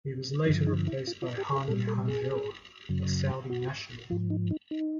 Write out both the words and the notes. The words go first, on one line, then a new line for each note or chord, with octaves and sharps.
He was later replaced by Hani Hanjour, a Saudi national.
G2 D3 F3 D#4
D#4
E4
F4
F4
G4
G#4
A#2 G3 A4
A4
G#4
F#2 C#3 F#3
F#4
G#2 F3 F4
D#4
D#4
D#4